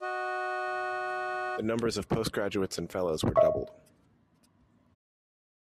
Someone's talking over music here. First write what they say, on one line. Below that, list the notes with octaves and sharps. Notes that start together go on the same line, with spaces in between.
The numbers of postgraduates and of fellows were doubled.
F#4 D#5
D#5 E5 C#6